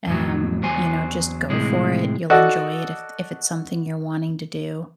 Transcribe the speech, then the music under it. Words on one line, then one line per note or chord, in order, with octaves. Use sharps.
um, you know, just go for it, you'll enjoy it if if it's something you're wanting to do.
F2 A2 F#3
E2 F#3 C5 G#5
A2 C3 E3 G#3
F#4 A4 D5 D#5 F#5